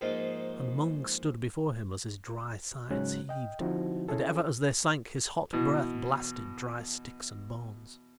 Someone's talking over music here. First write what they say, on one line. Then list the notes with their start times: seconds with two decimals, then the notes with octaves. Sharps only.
And Mung stood before him as his dry sides heaved, and ever as they sank his hot breath blasted dry sticks and bones.
0.01 G#2 F3 A#3 D#4 F4
2.91 G#2 C#3 F#3 G#3 C#4 F#6
3.29 D#5 G5
3.60 D3 F3 C4 D#4 E4 F#4
4.08 C#4 E4 G#4 A4
5.53 B2 E3